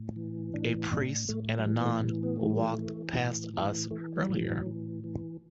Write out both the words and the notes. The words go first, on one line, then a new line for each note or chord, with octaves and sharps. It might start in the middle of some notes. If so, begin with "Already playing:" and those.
A priest and nun walked past us earlier.
Already playing: A2
E3
A2 D4
A2 D4
A2 A3
F#3
E3 G3
B3
A3
A2 G3
B3
A3
E3
G3
A3
E3
A2
E3
E3 A3
G3
A2
F#3
E3
E3